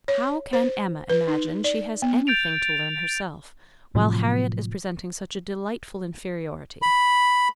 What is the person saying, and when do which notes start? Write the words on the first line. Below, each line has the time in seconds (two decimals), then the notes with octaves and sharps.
How can Emma imagine she has any thing to learn herself, while Harriet is presenting such a delightful inferiority?
0.08 C#5
0.53 C5
1.09 B4
1.27 D#4
1.64 D5
2.02 B3
2.27 G6 A6 D7 F7
3.95 A2 C3 F3 F#3
6.82 B5